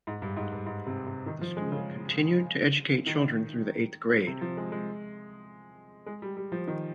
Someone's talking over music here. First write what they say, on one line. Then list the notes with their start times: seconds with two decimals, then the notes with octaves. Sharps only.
The school continued to educate children through the eighth grade.
0.07 G#2
0.22 G2
0.37 G#2
0.52 G2
0.66 G#2
0.87 C3
1.06 C3
1.26 D#3
1.41 F3
1.57 G#3
1.72 C#3
3.07 D#3
4.27 C3
4.41 F3
4.57 G#3
4.72 G#3
6.06 G#3
6.22 G3
6.37 G3
6.52 F3
6.67 D#3